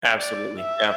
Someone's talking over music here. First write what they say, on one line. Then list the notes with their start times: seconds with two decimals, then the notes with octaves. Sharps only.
Absolutely, yeah.
0.16 D5
0.61 E5